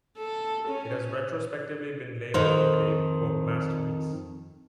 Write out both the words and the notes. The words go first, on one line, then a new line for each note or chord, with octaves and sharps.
It has retrospectively been labelled a "masterpiece".
A4
C#4
F2 D#3 C5